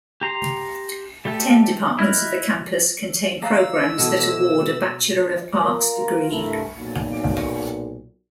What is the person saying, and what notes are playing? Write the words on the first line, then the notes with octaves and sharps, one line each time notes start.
Ten departments of the campus contain programs that award a Bachelor of Arts degree.
G4 A#5 C6
G3 A3 G4 A4
E4 D#5 F6 F#6
F5 A#5 E6
B2 E3 F#4 A4 D#5
F4 A#4
C2 G2 A3 E4 A4 A#4
B1 A#2